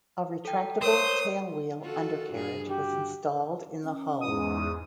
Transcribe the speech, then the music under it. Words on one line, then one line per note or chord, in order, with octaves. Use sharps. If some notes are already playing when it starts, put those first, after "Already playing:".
A retractable tailwheel undercarriage was installed in the hull.
A4 G5
A#4 C5 C#5 D#6
F4 F#4 A4
G2 G#4
F#4 G4
C#4
E2 G#2 D#6